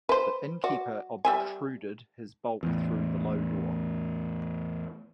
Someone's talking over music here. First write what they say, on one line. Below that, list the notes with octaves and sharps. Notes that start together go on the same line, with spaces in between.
The innkeeper obtruded his bulk through the low door.
B4 C5
F#4 D5
G3 E5 G#5
E2 A2